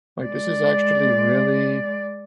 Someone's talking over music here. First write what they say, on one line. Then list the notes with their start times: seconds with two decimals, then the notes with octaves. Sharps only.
like, "This is actually really,
0.24 G#3 D5